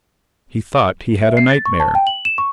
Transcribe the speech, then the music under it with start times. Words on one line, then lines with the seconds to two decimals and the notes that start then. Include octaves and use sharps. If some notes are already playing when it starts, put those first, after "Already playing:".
He thought he had a nightmare.
1.22 E5
1.37 C7
1.49 A6
1.66 C#6
1.80 A5
1.95 G5
2.07 F#7
2.25 E7
2.38 C#6